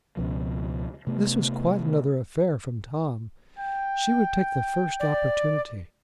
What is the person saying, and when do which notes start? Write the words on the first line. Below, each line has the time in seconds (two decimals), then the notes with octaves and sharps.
This was quite another affair from Tom! She would take the first opportunity.
0.17 C#2 B2 F3
1.07 C3 A3 B3
3.59 G5
5.00 D5